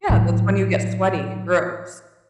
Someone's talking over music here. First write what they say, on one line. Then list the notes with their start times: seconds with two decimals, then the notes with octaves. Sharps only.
Yeah, that's when you get sweaty and gross.
0.10 A2 F#3